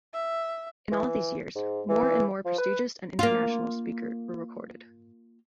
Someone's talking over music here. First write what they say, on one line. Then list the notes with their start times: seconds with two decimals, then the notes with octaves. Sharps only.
In all of these years, more and more prestigious and international speaker were recorded.
0.13 E5
0.92 E3
1.55 G#2
1.89 E3
2.45 F3
2.58 B4
3.19 A#3 F4